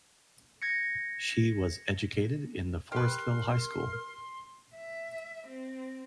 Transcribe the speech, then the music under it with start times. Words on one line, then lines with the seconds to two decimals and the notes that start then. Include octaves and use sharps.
She was educated in the Forestville High School.
0.62 G#6 A#6 C#7
2.92 G4 A#4 B4 C6
4.76 E5
5.47 C4